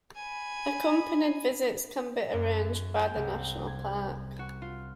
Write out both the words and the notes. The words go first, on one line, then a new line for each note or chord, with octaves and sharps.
Accompanied visits can be arranged by the national Park.
G#5 B5
F#2
G5
C2
G#6
F#4
F4